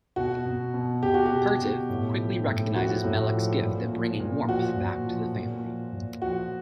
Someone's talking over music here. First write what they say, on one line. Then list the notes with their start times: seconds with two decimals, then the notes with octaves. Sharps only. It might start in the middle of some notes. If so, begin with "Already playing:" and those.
Pertev quickly recognizes Melek's gift at bringing warmth back to the family.
0.16 B2 F#4
0.45 B2
0.74 B2
1.03 B2 G4
1.14 F#4
1.26 G4
1.32 B2
1.60 B2
1.89 A2
2.18 F3
2.47 A2
2.76 F3 F#4
3.04 A2
3.34 F3
3.61 A#2
3.91 F3
4.20 A#2
4.49 F3 F#4
4.77 A#2
5.06 F3
5.35 A#2
5.64 F3
5.93 A#2
6.22 F3 F#4